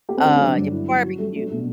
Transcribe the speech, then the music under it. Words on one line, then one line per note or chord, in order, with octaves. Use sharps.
uh, your barbecue.
A3 G4
C4
D3 D4
C4
F#3 D4
G2
E4
F#3
F#4
G3 A3
A3 D4
B2 A3